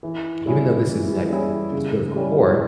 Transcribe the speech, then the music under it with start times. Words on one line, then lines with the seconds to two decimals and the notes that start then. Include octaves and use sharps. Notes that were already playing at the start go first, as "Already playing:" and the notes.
even though this is, like, sort of a poor,
0.03 E3
0.45 G3 C#4 E4 G#4
0.88 E3
1.30 G3 C#4 E4 G#4
1.72 C#3
2.16 E3 G3 C#4